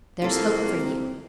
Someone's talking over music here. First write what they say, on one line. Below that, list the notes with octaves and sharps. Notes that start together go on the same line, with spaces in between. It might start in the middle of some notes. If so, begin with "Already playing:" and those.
There's hope for you.
C2 A#3 C4 F4 A4